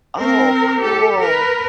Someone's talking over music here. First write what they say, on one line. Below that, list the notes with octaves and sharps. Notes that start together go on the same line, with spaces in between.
Oh, cool!
C4 A#4
G4 A4
A#4 B4